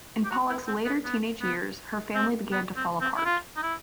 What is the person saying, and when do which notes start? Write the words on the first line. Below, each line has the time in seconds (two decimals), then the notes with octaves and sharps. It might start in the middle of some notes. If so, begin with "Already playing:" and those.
In Pollock's later teenage years her family began to fall apart.
0.25 G4
0.31 F#4
0.49 E4
0.67 C4
0.85 B3
1.04 B3
1.42 B3
2.15 C4
2.52 B3
2.76 C4
3.01 C4
3.17 E4
3.26 F4
3.57 D#4
3.63 E4